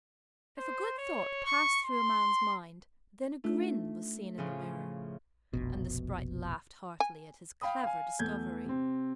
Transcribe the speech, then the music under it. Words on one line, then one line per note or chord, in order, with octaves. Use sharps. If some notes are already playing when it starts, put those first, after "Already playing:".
If a good thought passed through a man's mind, then a grin was seen in the mirror, and the sprite laughed heartily at his clever discovery.
C5
C#5
C#6
C6
A3 D4 D#4 F4
A2 C#3 F3
F1 A#1 B2
G#5
F5 G5 B5 D#6
F5 G#5
E2 A3 G6 G#6
C3 C4